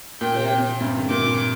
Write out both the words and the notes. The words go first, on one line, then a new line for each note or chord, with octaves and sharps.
And mhm.
A#2 G5
G2 C3
A#2 D6